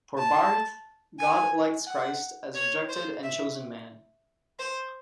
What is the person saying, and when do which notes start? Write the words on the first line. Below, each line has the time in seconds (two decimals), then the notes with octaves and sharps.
For Barth, God elects Christ as rejected and chosen man.
0.18 A5
1.19 G#5
1.87 F#5
2.55 C#5
2.89 C5
3.23 E5
4.59 C5